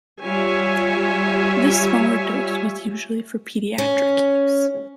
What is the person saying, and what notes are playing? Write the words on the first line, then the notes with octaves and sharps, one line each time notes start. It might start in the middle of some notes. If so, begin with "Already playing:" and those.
This smaller dose was usually for pediatric use.
G3 F4 C#5 E5 G#5
C#4